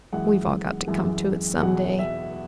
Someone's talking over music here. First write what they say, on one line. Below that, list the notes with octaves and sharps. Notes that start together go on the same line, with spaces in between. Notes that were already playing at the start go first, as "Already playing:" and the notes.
We've all got to come to it some day.
F#2 E3 G#3 F#5
F#2 E3 G#3
E2 B2 F#3 F#5
E5